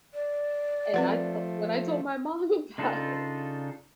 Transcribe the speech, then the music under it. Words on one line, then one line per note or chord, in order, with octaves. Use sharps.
And I felt when I told my mom about it,
D5
F3 A3 C4 B4 F#5
C#3 D4 D#4 F4 A4